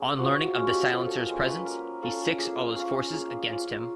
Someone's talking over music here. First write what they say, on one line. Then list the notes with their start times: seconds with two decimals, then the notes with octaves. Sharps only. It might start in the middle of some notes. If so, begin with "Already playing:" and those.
On learning of the Silencer's presence, he sics all his forces against him.
Already playing: A#3 C#4 G#4
0.18 F3 F#4
0.43 F#4
0.55 G#3 C#4
0.67 G4
0.92 F3 A4
1.07 A4
1.16 A#4
1.30 G#3 C#4
1.41 B4
1.65 A#3 A#4
2.02 C#4 F4 A4
2.39 A#3 G#4
2.75 C#4 F4
3.12 A#3 G#4
3.50 C#4 F4